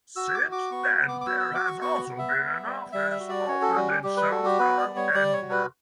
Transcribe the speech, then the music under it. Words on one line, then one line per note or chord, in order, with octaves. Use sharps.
Since then there has also been an office opened in South Gyle, Edinburgh.
F#4 E6
D6
F#4
D6
B3 C#6
B3
D6
D6
F#4 E6
E6
F#4 D6
C#6
B3 C#6
B3
E5
B3
G3
G3 E5
E5
F#4
D5
C#4 C#5
A4
G3 F#4
G4
G3 G4
B4
F#4 A4
G4
B3 B4
D5
G3
C#5
G3 D5
C#5
F#4
B4